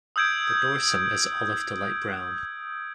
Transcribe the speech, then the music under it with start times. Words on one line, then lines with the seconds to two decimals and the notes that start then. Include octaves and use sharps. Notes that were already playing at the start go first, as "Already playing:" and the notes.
The dorsum is olive to light brown.
0.16 D#6 E6 G6 G#6 D7